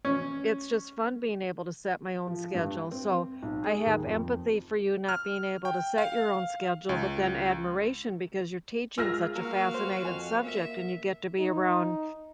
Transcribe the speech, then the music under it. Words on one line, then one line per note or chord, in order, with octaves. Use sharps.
it's just fun being able to set my own schedule so, I have empathy for you not being able to set your own schedule, but then admiration because you're teaching such a fascinated subject, and you get to be around
C#4
F3
G2
C4
B1
G#4
D#2
F2
F6
G5
F5
C#2
G#3 F4 G#4 E6 F6 A#6
A#3 F#4 A#4 F5
C5
F2 G#5
A#3 E5
D#4